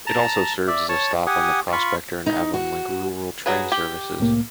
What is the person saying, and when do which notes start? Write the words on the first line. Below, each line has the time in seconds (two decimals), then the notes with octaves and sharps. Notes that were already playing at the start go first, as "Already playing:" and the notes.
It also serves as a stop on the Prospector and Avonlink rural train services.
0.06 A5 A#5
0.67 D5 E5
0.89 C#5 A5
1.27 G4 F#5 G#5 D#6
1.72 F4 F5 B5 C#6
2.26 D#4
2.54 F#4
3.46 F#3 G#4 B4
3.72 G4
4.20 C2 A2 A#3